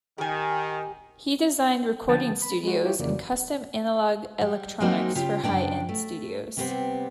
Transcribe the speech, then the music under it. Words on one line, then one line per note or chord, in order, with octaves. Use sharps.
He designed recording studios and custom analog electronics for high end studios.
D#3 G4 G#5
D3 F3 A#3 G5 A5 A6
B5
G#3 F#4
E4 F4 G4 C#5
F2 C#3 E3 A#3 F#4 D5
G3
F#3 G#3 A#3 C4 D#4 F#4
C#3 F4 G4
F#2 C#3 F#3 A#3 D4 G5
A3
C3 G3 A3 B3 C4